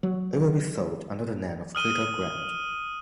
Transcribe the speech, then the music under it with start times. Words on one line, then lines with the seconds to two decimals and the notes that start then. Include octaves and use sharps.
It will be sold under the name of Creta Grand.
0.03 F#3
1.75 D#6 F6 D#7 G7